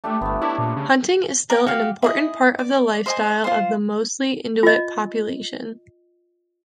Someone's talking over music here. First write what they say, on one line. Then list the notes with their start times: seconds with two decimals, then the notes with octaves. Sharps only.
Hunting is still an important part of the lifestyle of the mostly Inuit population.
0.04 A3 D4 G4 E5
0.21 G1 A3 B3
0.42 D4 E4 C#5
0.58 A#2
0.76 C#3
1.50 A#4 B4 D5 G5
1.66 F#4 G4 F5
2.02 E4 G#4 D#5
2.59 D5
3.06 C5 D#5 G#5
3.44 F4 C5
4.63 F4 D#5